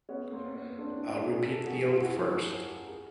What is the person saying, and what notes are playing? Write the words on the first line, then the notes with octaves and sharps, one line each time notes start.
I’ll repeat the oath first.
B3 C#4
A#3 C4
B3 C#4
C4 D4
D4 E4
G#4 A#4
G#4 A#4
G4 A4
F#4 G#4
F4 G4
E4 F#4
G#4 A#4
G#4 A#4